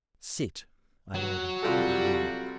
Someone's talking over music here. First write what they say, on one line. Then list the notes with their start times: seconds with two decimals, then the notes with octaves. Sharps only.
"Sit," I ordered the eunuch.
1.14 F#3
1.63 C3 G3 F4 F#4 A4